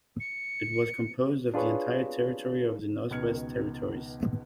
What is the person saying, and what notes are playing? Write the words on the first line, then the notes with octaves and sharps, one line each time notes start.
It was composed of the entire territory of the Northwest Territories.
C#7
D4 F4 G#4 B4 C#5
C#2 B2 D#3 F6 G#6 C#7